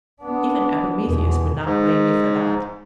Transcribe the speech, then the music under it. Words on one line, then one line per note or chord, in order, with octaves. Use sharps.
Even Epimetheus would not blame me for that.
B3 D4
E2 B2
G#2